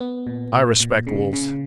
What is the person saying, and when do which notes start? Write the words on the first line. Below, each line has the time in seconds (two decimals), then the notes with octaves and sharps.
I respect wolves.
0.01 B3
0.27 A#2
0.53 A#2
0.80 A#2
1.07 C#3
1.33 C#3